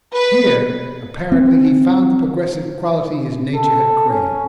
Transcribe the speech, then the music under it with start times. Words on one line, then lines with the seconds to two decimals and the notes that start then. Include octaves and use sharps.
Here, apparently, he found the progressive quality his nature had craved.
0.14 B4
1.32 C4
3.55 A4
4.10 C#4